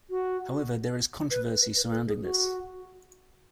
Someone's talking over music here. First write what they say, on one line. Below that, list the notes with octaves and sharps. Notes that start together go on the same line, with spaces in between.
However, there is controversy surrounding this.
F#4
B4
B4
B4
A4
G#4
F#4